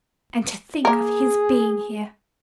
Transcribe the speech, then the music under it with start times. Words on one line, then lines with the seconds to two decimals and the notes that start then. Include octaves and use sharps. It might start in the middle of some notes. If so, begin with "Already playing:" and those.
And to think of his being here!
0.85 A#3 G#4 A#4